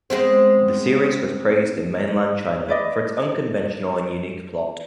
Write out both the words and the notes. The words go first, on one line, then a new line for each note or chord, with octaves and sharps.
The series was praised in mainland China for its unconventional and unique plot.
G#3 B3 C4
B4 D5 D#5